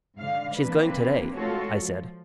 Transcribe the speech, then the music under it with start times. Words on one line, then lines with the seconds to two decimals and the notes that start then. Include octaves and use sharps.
"She's going to-day!" I said.
0.18 G#2 D3 F5
0.56 E3 A#3 C4 D4 B4
1.34 G#3 A3 F4 F#4 A4 C#5
1.75 F3